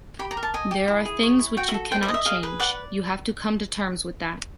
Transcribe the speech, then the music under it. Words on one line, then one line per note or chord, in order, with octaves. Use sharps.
There are things which you cannot change, you have to come to terms with that.
G4 B5
A#5
A#4
A5
D#5 G#5
G4
E4
G#4
C#5
E4
F#4 G5
E5
A4
C5 G5
E5
D#5
E5
G#4 F5
B4
D5 F#5